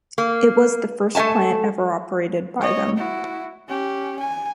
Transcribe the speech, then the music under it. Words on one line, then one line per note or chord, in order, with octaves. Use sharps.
It was the first plant ever operated by them.
A#3
A3 A4 E5 G#5 A5
C#5 D#5
E4 F#4
C#4 G4
G#5